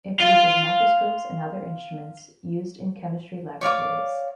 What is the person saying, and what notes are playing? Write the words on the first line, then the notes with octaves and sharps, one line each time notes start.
It produces microscopes and other instruments used in chemistry laboratories.
F5 C6
C#5 D5 F5 D6